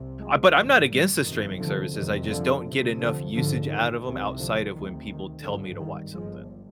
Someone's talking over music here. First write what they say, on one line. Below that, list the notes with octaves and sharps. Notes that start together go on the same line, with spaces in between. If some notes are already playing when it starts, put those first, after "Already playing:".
uh, but I’m not against the streaming services, I just don’t get enough usage out of 'em, outside of when people tell me to watch something.
Already playing: C2 C3
F3 G#3
G#1 G2 D3 F3
D#3 G3
G1 F2 C3 D#3
D3 F3
F1 F2 C3 D#3 G3
D3 F3
D2 C3
D3 F3
G#1 G#2 D3 F3
D#3
C2 C3 D#3
D3 F3
D2 C3 D#3
D#3
G#1 G2 D3 F3
D#3 G3
G1 G2 F3 G#3